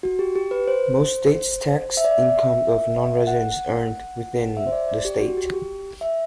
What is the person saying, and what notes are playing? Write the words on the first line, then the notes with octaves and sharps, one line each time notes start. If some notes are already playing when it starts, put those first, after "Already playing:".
Most states tax income of nonresidents earned within the state.
F#4
G4
G4
B4
C5
E5
D5
E5
F#5
E5
C5
D5
D5
G4
F#4
G4
G4
E5